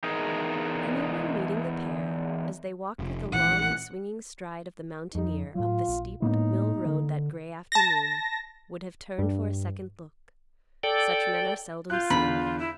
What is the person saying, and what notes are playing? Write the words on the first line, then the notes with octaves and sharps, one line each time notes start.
Anyone meeting the pair, as they walked with the long swinging stride of the mountaineer up the steep mill road that gray afternoon, would have turned for a second look; such men are seldom seen.
E2 D#4 G#4 A#4
F1
A#1 E3 F#5
F2 D#4
A2 F#3 F4
A#1
A2 G#3 A#3 B3 D#4
D3
A5 A#6
G2
A4 D5 G5
F4 F#6 G6
E2 D3 B5
E4